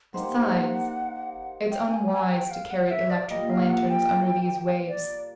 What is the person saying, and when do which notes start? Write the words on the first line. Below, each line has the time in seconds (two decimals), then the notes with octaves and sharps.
Besides, it's unwise to carry electric lanterns under these waves.
0.13 A#3 D#4 G4 C5 F#5
1.71 G5
1.91 G#5
2.12 G#5
2.31 G5
2.51 F5
2.70 F#5
2.91 E5
3.10 D5
3.30 A#2 G3 A#3 D#5
3.50 F5
3.69 F#5
3.89 G5
4.88 D5